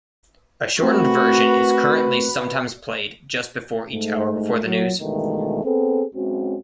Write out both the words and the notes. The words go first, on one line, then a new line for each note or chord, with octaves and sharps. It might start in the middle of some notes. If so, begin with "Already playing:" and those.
A shortened version is currently sometimes played just before each hour before the news.
A3 C4 F#4 A#4 B4
G#2 A3
F#3
G2 B2 D#3 E3 G#3 A3
B3 C4 G#4 A4
B1 G#3 C4 C#4 F#4